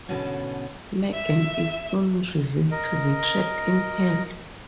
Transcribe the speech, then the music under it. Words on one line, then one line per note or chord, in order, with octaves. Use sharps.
Meggan is soon revealed to be trapped in Hell.
G#2 B2 D3 C#4 B4 A5
E5
A#4 D#5